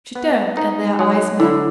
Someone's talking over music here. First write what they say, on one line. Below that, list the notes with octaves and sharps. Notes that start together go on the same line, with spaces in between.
She turned and their eyes met.
B3
D#4
F#3
D3 E4